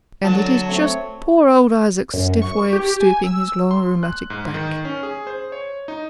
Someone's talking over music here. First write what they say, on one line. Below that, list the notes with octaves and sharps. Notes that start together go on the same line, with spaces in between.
And it is just poor old Isaac's stiff way of stooping his long rheumatic back.
D3 F#3 A5
A3 C4 C#5
F#2
C#6
G4
G#5
E6
C6
F#6
G#2
D#3
C#4
G#4
C5
C#5
D#4